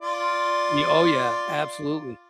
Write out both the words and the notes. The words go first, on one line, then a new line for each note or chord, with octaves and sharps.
Y oh, yeah, absolutely,
F4 D5